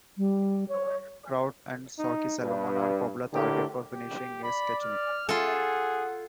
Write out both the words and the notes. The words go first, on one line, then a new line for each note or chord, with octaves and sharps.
Trout and sockeye salmon are popular targets for fishing in Stehekin.
G3
C#5
D#4
G2 B4
A2 D3 G4 A#4
G4
D5 B5
F6
F4 G#4 A4 F#5